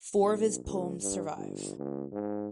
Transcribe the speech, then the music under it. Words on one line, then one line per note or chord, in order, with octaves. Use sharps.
Four of his poems survive.
B1
C#2
G2
G1
C#2
G#2